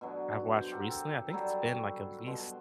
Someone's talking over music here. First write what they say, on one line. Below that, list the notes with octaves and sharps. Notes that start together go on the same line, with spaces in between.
I've watched recently, I think it's been, like, at least
B2 D3 F#3
C5
G4 A4 A#4 F#5
A4
F#3 G3 A4 A#5
B2 C6